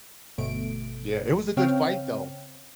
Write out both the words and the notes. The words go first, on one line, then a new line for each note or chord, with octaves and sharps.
Yeah, it was a good fight, though,
G1 B2 A3 D7
C#3 C4 C#5 F5 G5 F6